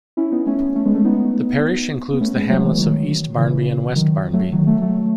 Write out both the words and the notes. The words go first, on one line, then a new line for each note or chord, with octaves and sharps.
The parish includes the hamlets of East Barnby and West Barnby.
C#4 E4
B3 D#4
A3 C#4
A3 C#4
G#3 B3
A3 C#4
B3 D#4
B3
A3 C#4
G#3 B3
F#3 A3
E3 G#3
D#3 F#3
C#3 E3
D#3 F#3
F#3 A3
D#3 F#3
F#3 A3
F#3 A3